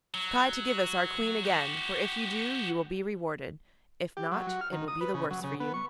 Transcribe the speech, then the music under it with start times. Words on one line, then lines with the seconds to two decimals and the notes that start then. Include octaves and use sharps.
Try to give us our Queen again, for if you do you will be rewarded; if not, it will be the worse for you.'
0.14 F#3
1.44 F#4 G4
4.17 G4
4.32 F#3
4.47 F#4
4.61 F6
4.72 D#3
4.88 D#6
5.01 B4
5.14 C#3
5.31 F#3
5.44 C#3
5.60 B3
5.74 C#6